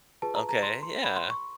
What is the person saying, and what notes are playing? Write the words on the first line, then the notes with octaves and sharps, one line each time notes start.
Okay, yeah.
F4 G#4 B4 A5
A#5
A#5
C6
C6
B5
C6
C#6